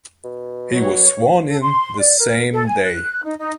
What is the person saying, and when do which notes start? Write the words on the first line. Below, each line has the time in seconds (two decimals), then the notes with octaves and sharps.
He was sworn in the same day.
0.24 B2
0.72 F#3 C#5
1.48 A4
1.61 C6
1.99 D5
2.18 A#4
2.52 A4
2.67 G#5
2.85 F#6
3.23 D#4
3.38 D#4